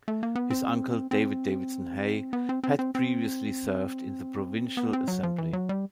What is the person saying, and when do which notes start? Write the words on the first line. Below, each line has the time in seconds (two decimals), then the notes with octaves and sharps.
His uncle David Davidson Hay had previously served in the provincial assembly.
0.08 A3
0.23 A#3
0.35 B3
0.50 C4
1.11 C4
2.33 B3
2.49 C4
2.64 C4
2.79 C4
2.95 C4
4.77 B3
4.93 C4
5.08 F#3
5.23 F3
5.38 E3
5.53 F#3
5.69 G3